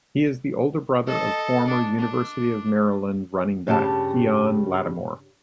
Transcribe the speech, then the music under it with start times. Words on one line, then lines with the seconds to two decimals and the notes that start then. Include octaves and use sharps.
He is the older brother of former University of Maryland running back Keon Lattimore.
1.07 A4 D#5
1.68 D4
1.99 D4
3.67 G2 C#3 G4 G5 A5